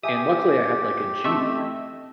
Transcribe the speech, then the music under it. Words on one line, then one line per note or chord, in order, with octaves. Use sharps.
and luckily I had, like, a Jeep
G4 E5 G#5 D#6
A3 C4 C#4 D#5 E5